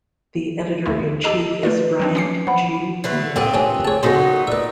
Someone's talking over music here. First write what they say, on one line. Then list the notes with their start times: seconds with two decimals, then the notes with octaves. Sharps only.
The editor-in-chief is Bryant G. Wood.
0.86 D#2 A3 E4
1.24 G4 D#5 A5 E6
1.63 A3 F4 B4 D5
2.00 F#3 C4 D4
2.15 C#4 D6 C7
2.47 F3 F#5 B5
3.04 D3 A3 B4
3.36 B1 A#2 B3 C4 D5 F#5
3.54 C3 C#4 D4
3.85 G#4 C#5 A5
4.03 F2 A#2 C#3 B3 D#4 F#4 C5
4.47 B4 D5 E5